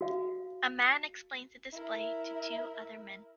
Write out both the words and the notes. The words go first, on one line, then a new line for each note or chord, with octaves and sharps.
A man explains a display to two other men.
F#4 F5
E4 A#4